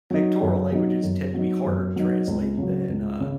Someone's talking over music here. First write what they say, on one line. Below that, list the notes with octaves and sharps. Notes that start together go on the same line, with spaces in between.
pictorial languages tend to be harder to translate than, uh
F#3 D#4
F#2
F#3 D#4
F#2
F#3 D#4
F#2
F#3 D#4
C#2
C#3 F#3
C#2
C#3